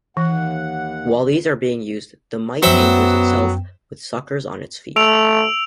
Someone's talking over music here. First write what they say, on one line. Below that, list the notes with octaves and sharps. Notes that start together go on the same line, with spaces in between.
While these are being used, the mite anchors itself with suckers on its feet.
D#2 E3 F#5
F#2 F#3 B3 C5 E5 G5 B5
A3 E6 D7 F7